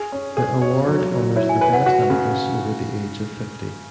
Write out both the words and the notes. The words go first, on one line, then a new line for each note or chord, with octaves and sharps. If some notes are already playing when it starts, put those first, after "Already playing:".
The award honors the best actress over the age of fifty.
Already playing: G#4
C#4
G#4
C#5
F#3
F#3
E4 C#5
G#5
B4 G#5
F#5
F#4 F#5
C#3